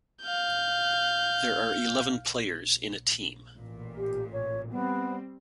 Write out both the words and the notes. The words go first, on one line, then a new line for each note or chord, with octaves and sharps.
There are eleven players in a team.
F5 G6
A1 A#2
G4
C#5
G3 B3 C4